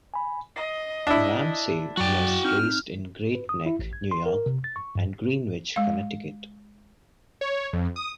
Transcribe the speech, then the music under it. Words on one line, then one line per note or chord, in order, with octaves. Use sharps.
Ramsey was raised in Great Neck, New York and Greenwich, Connecticut.
G#5 B5
D#5 C7
D4 E4
F#2 F#3 F#4 D5 G5
C4 D#4 F6 G6
B4
D#6
E4
A1
G#6
C6
A#4
C3
A6
C#6
G2
G#3 F5
C#5
F2
D#6